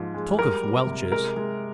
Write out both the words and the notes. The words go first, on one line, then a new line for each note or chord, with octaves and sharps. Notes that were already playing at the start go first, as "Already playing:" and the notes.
Talk of welchers!
Already playing: G#2 F3
G#3
G3 A#4
G3
C3
G#3 A#4
G#3